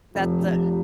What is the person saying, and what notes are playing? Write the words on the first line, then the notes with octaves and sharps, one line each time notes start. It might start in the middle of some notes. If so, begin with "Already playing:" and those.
that the
F1 C4 F4
F1 D4 G4
D4